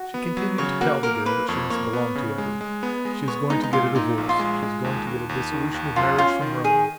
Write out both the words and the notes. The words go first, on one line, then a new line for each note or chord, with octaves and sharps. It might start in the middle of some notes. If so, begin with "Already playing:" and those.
She continued to tell the girl that she must belong to Edward; she was going to get a divorce; she was going to get a dissolution of marriage from Rome.
Already playing: F#4
B3
F#3
C#3 C#5
A#3 F#4
A#3 A#4
A#3 B4
F2 C#5
A#3 C#5
B3
C#3
G#3
G#3
B3
G#3
B3 C#5
G#3 D#4
D#4
A#2 F4
A#2 D#4
A#1
F4
G#3
G#3
D#2
D#2
D#2
D#3
D#2
F#2 F4
C#4 F4
D#3
D#3 G#4